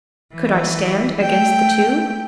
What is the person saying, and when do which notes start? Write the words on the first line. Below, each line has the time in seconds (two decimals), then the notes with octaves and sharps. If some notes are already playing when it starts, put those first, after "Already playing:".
Could I stand against the two?
0.34 E3
1.22 A3 G5